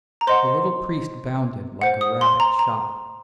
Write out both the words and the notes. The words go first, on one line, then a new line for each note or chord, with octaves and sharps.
The little priest bounded like a rabbit shot.
A#5
C5 D#5 F#5 C6
C5 F#5
D#6
C6
A#5
A#5